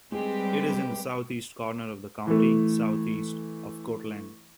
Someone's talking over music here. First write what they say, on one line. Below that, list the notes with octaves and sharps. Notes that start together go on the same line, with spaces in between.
It is in the southeast corner of the county, southeast of Cortland.
G3 G#3 C4 G4 B4
E3 A3